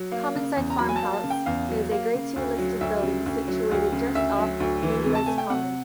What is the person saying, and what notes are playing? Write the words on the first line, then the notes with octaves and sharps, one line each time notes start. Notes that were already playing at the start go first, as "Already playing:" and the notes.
Commonside farmhouse is a grade two listed building situated just off Gleadless Common.
Already playing: F#3
A#3
C#3
E2
A#5
F#3 B5
G#5
A5
A#3
A5
C#3
G5
E2 F5
F#3
A#3
C#3
D2
F#3
D2 E5
C#3
D2
F#3
D2
C#3
D2 E5
F#3
D2
E3
C3
A5
A3 G#5
G5
C3 F#5